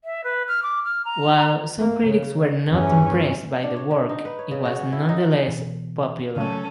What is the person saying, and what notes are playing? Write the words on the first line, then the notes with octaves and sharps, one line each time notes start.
While some critics were not impressed by the work, it was nonetheless popular.
E5
B4
F6
D6
F6
A#5
A#3
C#3
E2 G2 C#4
D4
C#5
D3
D#4
B4
C#5
C#3
F#4
C#4
E4
D#4
B2 E3
C#3 F#3 A3 C#4 A4